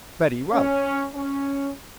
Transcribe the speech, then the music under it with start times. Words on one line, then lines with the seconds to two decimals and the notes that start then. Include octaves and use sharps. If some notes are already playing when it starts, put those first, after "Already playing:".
Very well!
0.52 C#4
1.14 C#4